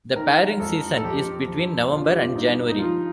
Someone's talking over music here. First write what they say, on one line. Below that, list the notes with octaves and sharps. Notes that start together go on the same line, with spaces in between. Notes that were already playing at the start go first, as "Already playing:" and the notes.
The pairing season is between November and January.
D#3 A#4
F2 A4
A4
F2 G4
F2
D3 F4
G4
F4
G2 D#4
D#4
F3 F4